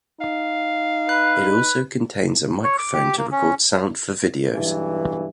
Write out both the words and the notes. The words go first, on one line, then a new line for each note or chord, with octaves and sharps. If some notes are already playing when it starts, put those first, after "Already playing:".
It also contains a microphone to record sound for videos.
D#4 F5
B4 F#6
C#5
D6
G4
A#3
C#4
B1 G2 E3